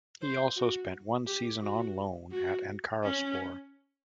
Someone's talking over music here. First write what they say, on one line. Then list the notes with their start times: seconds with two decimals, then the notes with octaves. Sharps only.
He also spent one season on loan at Ankaraspor.
0.22 C5
0.57 F#4
1.27 G4
1.62 F#4
2.32 F#4
3.03 C#4